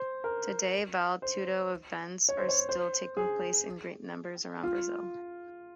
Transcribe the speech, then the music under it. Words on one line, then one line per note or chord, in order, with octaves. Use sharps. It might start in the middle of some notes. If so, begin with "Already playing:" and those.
Today, Vale Tudo events are still taking place in great numbers around Brazil.
Already playing: C5
A#4
C5
C#5
C5
C#5
C5
G#4
F4